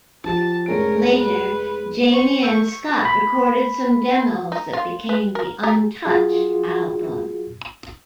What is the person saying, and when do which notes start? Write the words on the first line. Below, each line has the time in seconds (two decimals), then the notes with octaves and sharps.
Later, Jamie and Scott recorded some demos that became the "Untouched" album.
0.24 F3 G4 A5
0.66 F1 G#3 C#4 A#4 D7
1.17 B4
2.10 C5 C#6
2.43 E6 G6 F7
3.05 B5
4.52 D#4
4.73 F4
5.09 B4
5.35 A#4
5.63 G4 A#5
6.05 F#3 F4 F#4 G#4